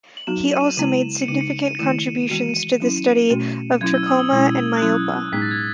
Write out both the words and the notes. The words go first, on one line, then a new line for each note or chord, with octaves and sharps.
He also made significant contributions to the study of trachoma and myopia.
F#7
F#3 B3 D#4 F#4 E7
F#7
D#7
E7
C#3 G#3 B3 E4 D#7
C#7
C#3 G#3 D#4 D#7
C#7
D#7
D#3 A3 E4 E7
E3 G#3 B3 F#4 D#7
E7
D#7
F#3 C#4 E4
B2 A3 C#4 F#4
F#3 C#4 E4 G#6
E6
D#6
E6
B2 G#3 C#4 E4
F#6
F#3 C#4 E4 G#6
A2 G#3 B3 D#4 B6
A6
G#6